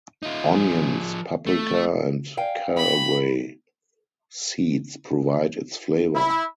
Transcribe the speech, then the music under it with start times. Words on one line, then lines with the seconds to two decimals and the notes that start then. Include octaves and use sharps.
Onions, paprika and caraway seeds provide its flavour.
0.23 D#4 F4
0.51 F3 G#4
1.46 A3
2.37 F5 G5 G#5
2.77 B5
6.14 E4